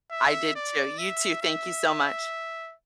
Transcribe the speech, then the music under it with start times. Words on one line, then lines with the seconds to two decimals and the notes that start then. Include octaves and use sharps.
I did too. You too, thank you so much.
0.11 E5
0.55 D5
0.98 E5
1.42 E5